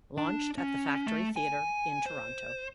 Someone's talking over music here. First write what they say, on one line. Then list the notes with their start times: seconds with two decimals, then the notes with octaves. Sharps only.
Launched at the Factory Theatre in Toronto.
0.18 D4
0.58 C#4
1.07 A3
1.36 G#5
2.06 C5